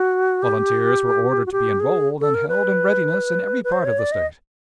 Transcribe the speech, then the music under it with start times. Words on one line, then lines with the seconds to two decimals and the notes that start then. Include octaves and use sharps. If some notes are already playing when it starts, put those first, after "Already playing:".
Volunteers were ordered to be enrolled and held in readiness in every part of the State.
Already playing: F#4
0.43 G4
1.46 F#4
1.52 G4
1.80 G#4
2.21 A4
2.34 A#4
2.49 B4
3.64 B4
3.72 C5
3.85 C#5
3.99 D5
4.12 D#5